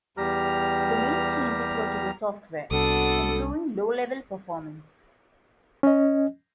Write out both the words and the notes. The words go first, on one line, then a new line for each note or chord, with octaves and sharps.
The main changes were to the software, improving low-level performance.
E2 G3 G4 A#5 F6
C2 B3 D4 F#4 A4 D#6
C#4 D#5